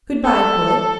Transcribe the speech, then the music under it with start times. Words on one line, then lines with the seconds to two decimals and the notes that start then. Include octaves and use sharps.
Good-bye, poet.
0.25 A4